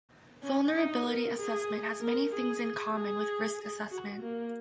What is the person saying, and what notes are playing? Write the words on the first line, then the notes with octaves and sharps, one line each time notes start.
Vulnerability assessment has many things in common with risk assessment.
C#4
D#4
A#4
G#4
A#4
G#4
G#4
F#4
A#3